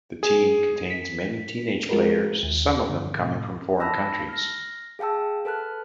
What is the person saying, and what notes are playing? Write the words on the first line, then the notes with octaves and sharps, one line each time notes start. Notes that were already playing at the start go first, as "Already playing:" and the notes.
The team contains many teenage players, some of them coming from foreign countries.
G#4
B6
G#3 F4 F#4 G#4 A#4 B4
D#2
G2 D3
A2 C3
A5 B5 E6 A#6
F6 A#6
G#4 F5 G5 A5 E6
A4 B4 A5 F6 F#6